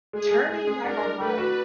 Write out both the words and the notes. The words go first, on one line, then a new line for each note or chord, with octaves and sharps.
turning my whole body?
G#3 G#4
G#3
G#3 G#4
G#3
D4 A#4
D4
A3 B4
F#4